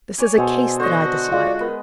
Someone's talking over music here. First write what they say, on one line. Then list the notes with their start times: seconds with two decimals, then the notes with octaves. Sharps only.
This is a case that I dislike.
0.18 C#5 D5 G#5
0.38 B2 G#4 A4 C5 G#5
0.80 D3 F#4 C5 D#5 C#6
1.32 G#3 F4 D5
1.60 B3 A#4